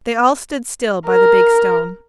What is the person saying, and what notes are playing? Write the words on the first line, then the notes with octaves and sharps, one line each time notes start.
They all stood still by the big stone.
A#4